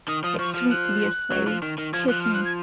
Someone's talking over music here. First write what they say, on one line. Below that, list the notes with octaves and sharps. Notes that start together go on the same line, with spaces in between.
It's sweet to be a slave. Kiss me!
D#3 D#6
F3 D#6
F3 C#6
F3 F6
F#6
F#3
F3
D#3
D#3
F3 G#6
F3 F#6
F6
F#6
G#6